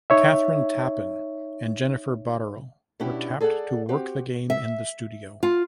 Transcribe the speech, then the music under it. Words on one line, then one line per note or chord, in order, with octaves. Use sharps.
Kathryn Tappen and Jennifer Botterill were tapped to work the game in the studio.
D#4 C#5 E5
B2 C#4 D4 E4 G4
G#4 A4 D5 F5 F#5
C4 F#4 G4
E5
F4